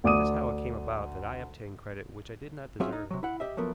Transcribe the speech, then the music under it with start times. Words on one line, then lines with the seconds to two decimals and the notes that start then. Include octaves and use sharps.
That is how it came about that I obtained credit which I did not deserve.
0.04 D2 D5 D6 D#6 D#7
2.80 F#3 C4 C#4 F4 G#4 E5
2.92 D#4
3.10 C3 F#3
3.23 E4 F#5
3.40 G4 D#5 E5
3.57 F3 F#3 A3 B3 A#4